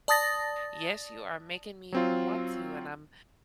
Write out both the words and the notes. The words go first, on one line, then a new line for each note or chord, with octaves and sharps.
Yes, you are making me want to, and I'm
D5 A5 D#6 A6 A#6
F#3 C4 F4